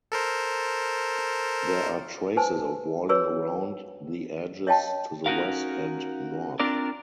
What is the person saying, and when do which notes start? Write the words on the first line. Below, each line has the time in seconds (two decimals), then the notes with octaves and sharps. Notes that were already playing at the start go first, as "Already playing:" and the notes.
There are traces of walling around the edges to the west and north.
0.12 A4 A#4 C5
2.37 B4 C5 G#5 A5
3.09 F#4 G#4 B4 C#5 E6
4.67 C#5 D#5 F5 G5 A5
5.26 C#4 D#4 F#4 A#4 F5
6.60 C4 D4 F4 A#4 D5